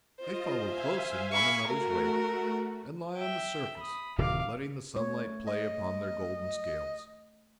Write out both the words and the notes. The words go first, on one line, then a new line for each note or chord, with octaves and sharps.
They follow close in one another's wake, and lie on the surface, letting the sunlight play upon their golden scales.
F4 C5 D#5
E5 F5 G#5
B5 C#6
A3 F#4 A#4
E5 G5
B5 D#6
D1 C3 D#3 F5 D6
A3 C#5
D#5